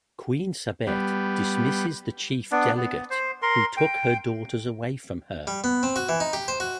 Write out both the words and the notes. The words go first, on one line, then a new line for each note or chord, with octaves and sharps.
Queen Sabet dismisses the chief delegate who took her daughters away from her.
G3 B3
B3 D4
B3
C5
A#4 C6
G5
G3
B3
C4
F#4
E3
D#4
G4
C5
F#4